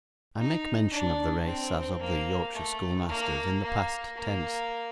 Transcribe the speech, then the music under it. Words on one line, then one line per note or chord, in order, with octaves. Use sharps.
I make mention of the race, as of the Yorkshire schoolmasters, in the past tense.
D#4
D4
C4
A#3
A3
A#3
A#3
A#3